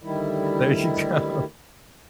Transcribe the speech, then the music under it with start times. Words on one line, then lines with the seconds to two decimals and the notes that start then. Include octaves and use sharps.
There you go.
0.03 D2 D#3 G3 E4